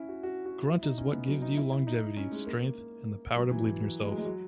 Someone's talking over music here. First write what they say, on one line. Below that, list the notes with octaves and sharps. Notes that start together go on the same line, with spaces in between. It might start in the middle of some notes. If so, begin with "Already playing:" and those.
Grunt is what gives you longevity, strength, the power to believe in yourself.
Already playing: C#4 E4
F#4
F#4
F#4
E4
D#4
C#4
B3
F#3
D#4
E4
E4
D#4
C#4
G#3
A#3
F#3
E3
E3
F#3
G#3
F#3
G#3
F#3